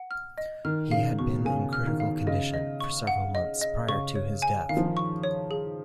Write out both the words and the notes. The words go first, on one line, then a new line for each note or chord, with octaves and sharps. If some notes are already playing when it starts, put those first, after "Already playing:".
He had been in critical condition for several months prior to his death.
Already playing: F#5
F6
D#5
D#3 F6
C#3 F5
B2 C#6
C#3 G#5
F6
D#3
F5
C#3 D#5
D#5
C#6
F#5
D#5
D#5
C#3 C#6
C#5
G#5
D#3 F5
F3
D#3
C#6
C#5
G#4